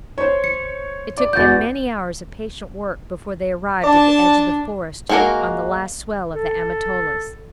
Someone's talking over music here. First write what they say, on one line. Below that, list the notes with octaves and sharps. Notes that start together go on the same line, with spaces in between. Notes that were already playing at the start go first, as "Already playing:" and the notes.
It took them many hours of patient work before they arrived at the edge of the forest on the last swell of the Amatolas.
C5 C#5
C#7
D5
E2 F#4 D5 G6 A6
D4 D5 A5
G#3 A#3 F#4 G#4 A#4
A4